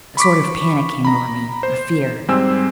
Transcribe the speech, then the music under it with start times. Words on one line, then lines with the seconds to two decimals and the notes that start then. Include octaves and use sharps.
A sort of panic came over me, a fear.
0.17 B5 C#6 D6 B6
1.05 A#5 B5
1.63 C5
2.28 G#2 G3 C4 C5 G#5 E6